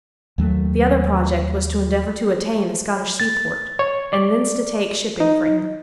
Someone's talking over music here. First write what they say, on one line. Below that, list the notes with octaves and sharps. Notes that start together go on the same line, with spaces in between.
The other project was to endeavour to attain a Scottish seaport, and thence to take shipping for England.
D#2 F#3 G#3 A3
A6
C#5
D5
D#4